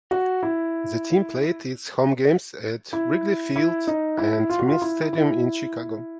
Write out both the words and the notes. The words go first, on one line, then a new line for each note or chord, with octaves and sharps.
The team played its home games at Wrigley Field and Mills Stadium in Chicago.
F#4
E4
E4
E4
D#4
E4
F4
F#4
F4
E4
E4